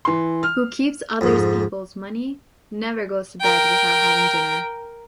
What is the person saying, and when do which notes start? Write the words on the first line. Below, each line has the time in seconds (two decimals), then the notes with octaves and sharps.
Who keeps other’s people money, never goes to bed without having dinner.
0.05 E3 C6
0.43 F6
1.21 F2 G#2
3.41 A#4 G5